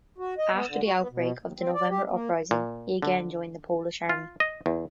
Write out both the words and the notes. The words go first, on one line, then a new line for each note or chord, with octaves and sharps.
After the outbreak of the November Uprising he again joined the Polish Army.
F#4
D#5
B3
D3
F#4
B3
B2
D#2
C4
D5
G4
A#3
A#2
D3
F4
D#5
E2